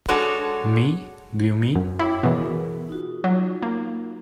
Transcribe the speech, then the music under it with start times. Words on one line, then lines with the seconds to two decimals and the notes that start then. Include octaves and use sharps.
Me, do you mean?
0.08 G#3 D4 F#4 A4 C#5
1.75 F#2
1.99 E4 C#5 G5 D6
2.23 B2 E3 F#4 G#4 A#4
2.89 D#4 F4 F#4
3.24 F#3
3.62 A#3